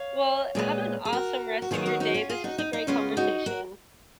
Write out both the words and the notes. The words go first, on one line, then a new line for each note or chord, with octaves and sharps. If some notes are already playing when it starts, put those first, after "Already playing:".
well, have an awesome rest of your day, this was a great conversation.
Already playing: C#5 F5
A#2 G#3 B3
G#4
F#4 A#4
F#4
D#3 F#3 B3 F4 G#4
F#4 A#4
D#4 F#4
C#4 F4
F4 G#4
D#4 F#4
D#4
D#4
C#3 G#3 B3 C#4 F4
D#4 F#4
F#4 A#4